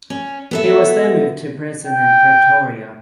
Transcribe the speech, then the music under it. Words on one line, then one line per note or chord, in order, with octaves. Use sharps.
He was then moved to prison in Pretoria.
C#4
B3 A4 E5
G5